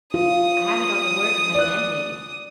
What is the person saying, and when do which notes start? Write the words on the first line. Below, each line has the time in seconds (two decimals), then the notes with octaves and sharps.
I have it on the word of my landlady.'
0.14 F4 D#6
1.54 D5 F#6